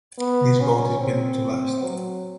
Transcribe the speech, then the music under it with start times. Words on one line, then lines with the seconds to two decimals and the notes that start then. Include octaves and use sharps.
This boat is built to last.
0.19 B3
0.60 C#4
1.01 C4
1.83 F#3